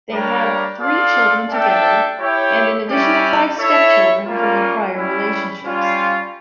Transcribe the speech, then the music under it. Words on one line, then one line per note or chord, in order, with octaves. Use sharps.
They have three children together, and an additional five stepchildren from their prior relationships.
G3 D4 G4 A#4 C#5
F4 A4 D5 F5
D4 A4 E5 G5
E4 G4 C#5 G5
G3 C#4 E4 G4 D5
E4 A4 C#5 E5
G3 A#3 C#4 F4
G3 C#4 E4
G3 C#4 F4